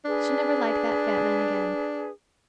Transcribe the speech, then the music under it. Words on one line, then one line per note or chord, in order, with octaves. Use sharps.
She never liked that fat man again.
D4 G#4 B4